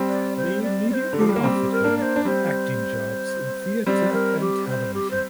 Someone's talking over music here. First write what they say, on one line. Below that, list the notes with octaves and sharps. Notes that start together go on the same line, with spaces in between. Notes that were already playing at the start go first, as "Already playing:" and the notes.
They immediately offered him acting jobs in theater and television.
Already playing: G3 C4
D5
C5
D5
D5
C5
D3
F3 G4
G3
A#3
G3 C4 G4
A#4
A#3 D4
D5
C5
D4
G3 C4 C5
G3 C4 D5
A#4
G4
C5
G4
C5